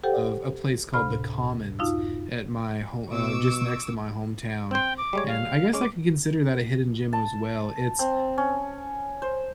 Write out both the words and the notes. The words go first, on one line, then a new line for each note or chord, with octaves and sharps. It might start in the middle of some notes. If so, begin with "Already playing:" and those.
of a place called The Commons at my ho uh, just next to my hometown, and I guess I can consider that a hidden gem as well. It's,
G4 A4 C5 F#5 G5
D2 A2 C3 B5 F6
F#2 D#4 F4 F5 E6
B2 C#6 D6 E6
C4 C5 G5
D6
G3 G#3 C#5
F5
G#3 C#4 D6
A5
C4
C#4
C5